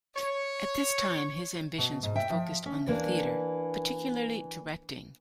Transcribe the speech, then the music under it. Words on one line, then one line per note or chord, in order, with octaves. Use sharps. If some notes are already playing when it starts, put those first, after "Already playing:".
At this time, his ambitions were focused on the theatre, particularly directing.
C#5
B2
G#2
E5 G5
F3
C#4
E3 A#3 D4